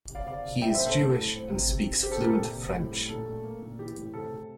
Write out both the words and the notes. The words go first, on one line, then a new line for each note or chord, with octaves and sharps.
He is Jewish and speaks fluent French.
C3
D5 F5
C3 D5 F5
C3
G3 E5 G5
C5 E5
A#2
A4 C5
A2 A4
A2
C4
C3
C3
C3
C4 G4
A4
A#2 G4 A#4
A4
C3 G4
C3
A2
G3
A#2 A4
A3
A#3
A#2
E3 G4
A2
C3 A4
C3